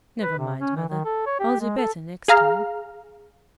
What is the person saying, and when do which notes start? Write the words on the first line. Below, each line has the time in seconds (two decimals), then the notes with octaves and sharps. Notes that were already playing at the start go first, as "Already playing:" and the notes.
'Never mind, Mother; I'll do better next time.'
0.22 B4
0.38 C3
0.61 C#4
0.77 E3
0.89 D#3
1.05 A4
1.27 C#5
1.40 G4
1.60 G#3
1.78 A4
2.28 G#4 F5 A#5 F6